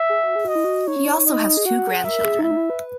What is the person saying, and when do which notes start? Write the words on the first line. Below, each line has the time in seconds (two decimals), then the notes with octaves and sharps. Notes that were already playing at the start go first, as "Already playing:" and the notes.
He also has two grandchildren.
Already playing: E5
0.09 G#4
0.23 F#4
0.36 G#4
0.45 F#4 D#5
0.55 E4
0.64 F#4
0.87 D#4 C#5
0.96 C#4
1.05 D#4
1.26 D#5
1.57 G#4
1.65 F#4 F#5
1.79 F#4
1.87 A#4
1.92 G#4
2.04 A#4 E5
2.24 G#4
2.39 D#4
2.43 E4 E5
2.51 D#4
2.57 E4
2.70 B4